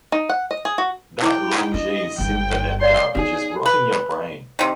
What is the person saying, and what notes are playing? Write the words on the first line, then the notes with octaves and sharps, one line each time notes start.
That Longines Symphonette garbage is rotting your brain!
D#4
F#5
D#5
G#4
F#4
E4 C5 G5 D6
D4 D#5
G1 G2 G5
C#5 D5 F5 C6
B3 D#4 G#4
B4
C3 D#3